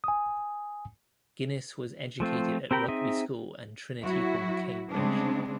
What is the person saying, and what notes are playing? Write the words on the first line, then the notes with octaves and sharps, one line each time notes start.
Guinness was educated at Rugby School and Trinity Hall, Cambridge.
G#5 D#6
F3 A3 C4 F4
C4 G4 A#4 G5 B5
C4 D#4 G#4 D#5 E5
F#3 E4 F#4
C#3 G3 G#3 C4 D4